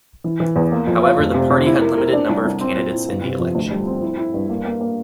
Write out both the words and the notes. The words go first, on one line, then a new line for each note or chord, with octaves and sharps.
However, the party had limited number of candidates in the election.
E3
E3
E2
A#3
F2
F4
F1
C3
C3
E4
A#4
A#4
D4
C2
C2
C4
A#2
E4
G1
C3
F2
D2
G3
C4
E4
E4
G2
A#3
A#3
A#3